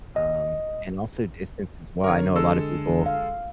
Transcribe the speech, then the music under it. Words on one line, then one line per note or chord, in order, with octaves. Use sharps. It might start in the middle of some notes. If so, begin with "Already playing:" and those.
Um, and also distance as well. I know a lot of people,
D#5
D3 A#4 C#5
G#3 A4 E6
F5